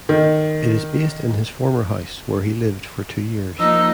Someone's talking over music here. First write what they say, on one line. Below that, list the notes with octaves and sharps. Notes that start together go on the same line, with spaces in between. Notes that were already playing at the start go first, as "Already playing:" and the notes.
It is based in his former house, where he lived for two years.
D#3
F3 A#3 D#4 E6